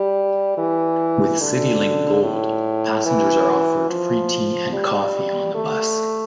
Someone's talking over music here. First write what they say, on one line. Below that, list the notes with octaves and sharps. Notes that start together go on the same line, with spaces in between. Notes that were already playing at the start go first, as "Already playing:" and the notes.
With Citylink Gold, passengers are offered free tea and coffee on the bus.
Already playing: G3
E3
D3
A2
E3
F3
G3
A3